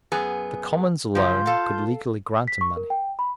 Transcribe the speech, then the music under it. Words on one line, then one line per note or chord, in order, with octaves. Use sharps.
The Commons alone could legally grant him money.
F#2 B3 G#4
C#3 F3 F4 G6
A4 F5
B6
C#6
A#4
G5
B5